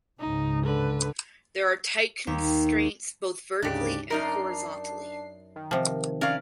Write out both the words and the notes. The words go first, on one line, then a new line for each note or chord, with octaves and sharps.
There are tight constraints both vertically and horizontally.
C#2 G#2 C#3 D#4
D3 B4
D#2
D2 G#2 C#3 D4 G4
F#2 D4 D#4 A#4 C7
D#3
C3 F3
C#4 A#4 D5 F5